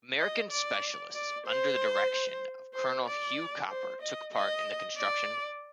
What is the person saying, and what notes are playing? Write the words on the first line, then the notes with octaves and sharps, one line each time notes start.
American specialists under the direction of Colonel Hugh Cooper took part in the construction.
D#5
D5
D5
C5
C5
D5
C5
D#5
D#5
D5